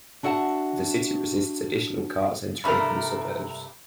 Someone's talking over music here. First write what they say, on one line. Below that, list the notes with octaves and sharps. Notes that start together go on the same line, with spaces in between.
The city resists additional cars entering from the suburbs.
D4 F#4 E5 F#5 G#5 A5
G2 C3 A3 A#4